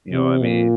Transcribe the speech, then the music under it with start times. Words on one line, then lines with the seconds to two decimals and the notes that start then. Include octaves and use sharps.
you know what I mean?
0.12 C3
0.42 A#2